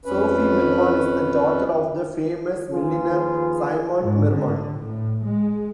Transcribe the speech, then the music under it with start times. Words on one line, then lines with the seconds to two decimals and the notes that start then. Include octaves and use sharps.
Sophie Mirman is the daughter of the famous milliner Simone Mirman.
0.05 F2 C#4 B4
2.74 D#2 F3 F4 G#4 B4
4.00 G#2
4.38 D3
4.79 A2
5.26 G#3